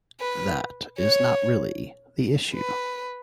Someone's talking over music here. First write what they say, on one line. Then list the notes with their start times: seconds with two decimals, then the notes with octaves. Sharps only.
That is not really the issue.
0.20 B4
0.98 C#5
2.55 B4